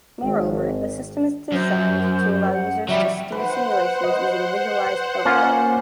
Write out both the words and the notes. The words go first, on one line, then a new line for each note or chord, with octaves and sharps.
Moreover, the system is designed to allow users to steer simulations using visualised output.
G#1
F#2 C5
F#5
F#3 G3 E5
B4 C5 F#5
D#5
A#3 C#4 F4